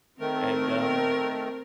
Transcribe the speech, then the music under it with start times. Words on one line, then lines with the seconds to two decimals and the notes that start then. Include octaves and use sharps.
and, um,
0.20 D#3 A3 C4 A#4